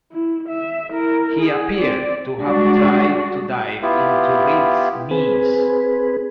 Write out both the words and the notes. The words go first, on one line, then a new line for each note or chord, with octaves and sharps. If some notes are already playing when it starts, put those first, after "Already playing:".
He appeared to have tried to dive into Reed's knees.
E4
E5
E4 A#4
G#4
C4 D5
G3 G#3 D4 F#4
B3 E4 F4 G4
C4 G#4 B4